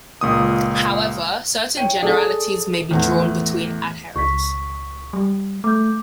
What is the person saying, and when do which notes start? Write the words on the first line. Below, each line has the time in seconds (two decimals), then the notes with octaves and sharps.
However, certain generalities may be drawn between adherents.
0.21 C#2 A#2 D#6
1.77 C#5 G5 D#7
2.03 G#4 A4 D5
2.91 E2 A2
4.16 C#2 C#6 B6
5.13 G3
5.64 A3 D6 G6